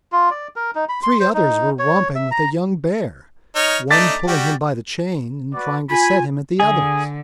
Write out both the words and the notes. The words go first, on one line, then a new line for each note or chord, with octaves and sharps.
Three others were romping with a young bear, one pulling him by the chain and trying to set him at the others.
F4
D5
A#4
D#4
B5
C6
C5
D#4
C#5
E5
A#5
D#4 C#5 F6
A3 D4 D#4 D6 A6 B6
G3 F#4 G4
F#4 B4 D5
F4 G#5 B5
D3 G#4 G#5